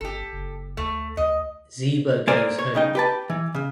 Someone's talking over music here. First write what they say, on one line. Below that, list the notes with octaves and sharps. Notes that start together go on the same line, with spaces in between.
Zeba goes home.
G1 G4 A4
F#1
D2 A3
D2 D#5
A#3 A4 A#4 C5 D5 G#5
C#5
C#3 D#4 G5
G4 B4 A5
E3
C#3